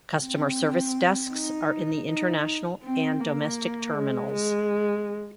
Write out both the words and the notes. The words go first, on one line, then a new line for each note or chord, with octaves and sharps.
Customer service desks are in the international and domestic terminals.
C4
D#4
D#4
C4
A#3
G#3
G#3